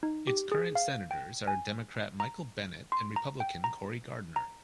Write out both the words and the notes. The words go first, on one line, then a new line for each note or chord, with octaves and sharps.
Its current senators are Democrat Michael Bennet and Republican Cory Gardner.
D#4
G4
G#4
F5
G5
G#5
A#5
C6
A#5
G5
A#5
A#5